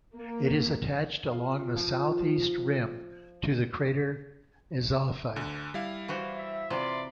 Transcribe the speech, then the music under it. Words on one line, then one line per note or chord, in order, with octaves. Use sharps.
It is attached along the southeast rim to the crater Azophi.
A#3
F4
F3
D2 D3
G3 E4 F5
E3 F#4 C5
E5
C3 E3 F4 D5 B5 C6